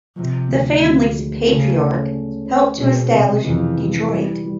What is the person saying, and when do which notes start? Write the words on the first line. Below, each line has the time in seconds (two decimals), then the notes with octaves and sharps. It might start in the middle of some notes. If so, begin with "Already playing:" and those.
The family's patriarch helped to establish Detroit.
0.16 C3 F3
0.48 D2
0.81 D2
1.14 G#3
1.47 C#3 A3
1.80 C#4
2.12 C#4
2.46 C#4
2.78 B2 G#3
3.11 C3
3.44 F2 E3
3.77 E3
4.10 G3
4.43 G3